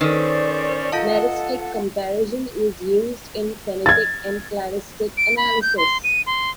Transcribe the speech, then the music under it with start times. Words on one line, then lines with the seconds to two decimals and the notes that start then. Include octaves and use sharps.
Meristic comparison is used in phenetic and cladistic analysis.
0.01 D#3 C#4 A4 B4 C5 D5
0.92 F4 A4 D#5 F5 F#5 A5
3.86 G#6 A6
5.17 D7
5.37 B5
5.62 G6
5.77 C6
6.04 D#7
6.26 C6